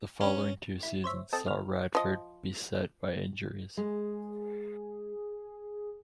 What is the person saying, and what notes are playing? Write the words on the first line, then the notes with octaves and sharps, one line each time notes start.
The following two seasons saw Radford beset by injuries.
C#4
E4
C5 C#5 E5
C4 A4 D#5 A5
F6
F3 D#5
G#3 G#4